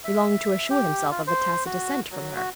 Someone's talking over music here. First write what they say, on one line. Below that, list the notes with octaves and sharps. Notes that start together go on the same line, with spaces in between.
He longed to assure himself of a tacit assent from her.
E5
G4
F4
C5
F#4
F#3
F#4